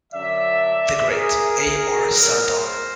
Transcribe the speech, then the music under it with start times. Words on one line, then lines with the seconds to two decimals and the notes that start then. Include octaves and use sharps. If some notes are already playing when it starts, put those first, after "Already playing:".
The great A. R. Sardar.
0.13 F#2 D3 F#3 D5 E5
1.10 G#4 A#4
1.58 G#4 A#4
2.07 A2 F#3 B3 G#4 A#4
2.55 A#4 C5